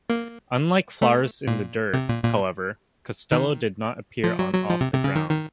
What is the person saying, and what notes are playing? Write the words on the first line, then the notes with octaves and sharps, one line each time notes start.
Unlike "Flowers in the Dirt", however, Costello did not appear on "Off the Ground".
A#3
A3
A#2
C3
A#2
A#2
D#3
F3
F#3
F#3
F3
C3
C3
C#3
D#3
D#3